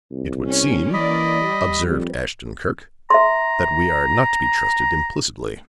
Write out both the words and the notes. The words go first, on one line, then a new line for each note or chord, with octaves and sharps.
"It would seem," observed Ashton-Kirk, "that we are not to be trusted implicitly."
C2
C#4
E3 A#3 D5 D#5 B5
G3
F2
E5 A#5 C6